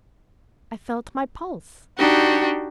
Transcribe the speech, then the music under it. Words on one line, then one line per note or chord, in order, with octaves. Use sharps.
I felt my pulse.
D4 D#4 F#4 G4